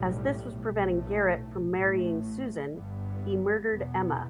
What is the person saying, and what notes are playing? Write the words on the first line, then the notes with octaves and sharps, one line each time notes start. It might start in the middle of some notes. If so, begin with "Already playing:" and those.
As this was preventing Garrett from marrying Susan he murdered Emma.
Already playing: B1 A2 G3
B1 A2 A3
A1 A2 A3
G1 G2 G3 B3
E2 B2 B3